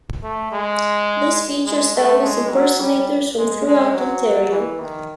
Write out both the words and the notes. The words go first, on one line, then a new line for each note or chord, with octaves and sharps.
This features Elvis impersonators from throughout Ontario.
A3
G#3
G#3
A3
G#3
F#3
G3
G#3
G#3
F#3
E3
D#3